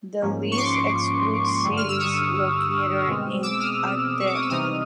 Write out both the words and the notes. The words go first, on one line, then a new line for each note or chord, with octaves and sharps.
The list excludes cities located in Agder.
G#2 F3 A#3 C#4
C#6
C6 D6
G2 D3 G3
F6
E6
C#6 D#6
B2 G#3 C4
D6 E6
D#6 F6
C#6
D6
D#6
E6
C3 E3 G3 C4 D#4 D#6 F6